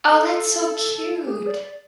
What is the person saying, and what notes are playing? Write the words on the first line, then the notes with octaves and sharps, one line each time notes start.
Oh, that's so cute.
A4
G4
G#4
D5